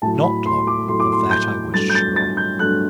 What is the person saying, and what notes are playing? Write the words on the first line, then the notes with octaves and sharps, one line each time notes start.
Not long; of that I was sure.
A2 F#3 A3 A5
B5
C6
D6
A2 F#3 A3 C6
D6
C6
G6
G2 F#3 A3 A6
G6
A6
A6
G6
G2 F#3 A3 F#6